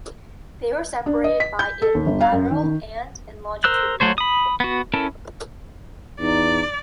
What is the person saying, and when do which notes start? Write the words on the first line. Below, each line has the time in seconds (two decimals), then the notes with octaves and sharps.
They were separated by in lateral and in longitudinal.
1.06 D4
1.24 D#5
1.40 B6
1.59 G6
1.82 A4
1.95 D#2
2.06 G1
2.21 F5
2.32 F#2
2.51 D#3
2.63 D#3
3.64 A#4 C5 E6 F#6
4.00 F#3 A3 C5 C#5
4.18 B5 D#6
4.60 B3 F#4
4.94 C#4 E4 A4 A#4
6.20 E2 D#4 D5